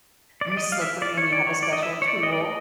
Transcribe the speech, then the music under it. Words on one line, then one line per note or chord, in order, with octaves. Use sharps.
they're slippery and you have a special tool.
D5
D5
D#5
F5
E5
D5
C#5
D5
C#5
D5
D#5
E5
C#5
D5
D#5
D5
D#5